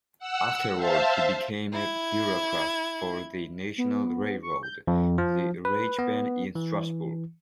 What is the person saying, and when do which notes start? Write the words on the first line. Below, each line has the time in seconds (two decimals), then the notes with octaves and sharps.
Afterwards, he became a bureaucrat for the national railroad, the Reichsbahn, in Strasbourg.
0.19 F#5 E6
0.76 C5 E5 F5 A5
1.73 E4 G#6
3.78 B3
4.43 C#6
4.63 G6
4.87 F2
5.18 F3
5.65 B4
5.99 B3
6.55 E3